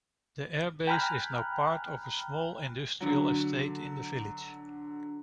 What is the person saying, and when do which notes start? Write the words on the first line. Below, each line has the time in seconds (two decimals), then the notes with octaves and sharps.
The airbase is now part of a small industrial estate in the village.
0.87 G5 G#5 A#5 B5 F6 F#6
3.01 D3 F#3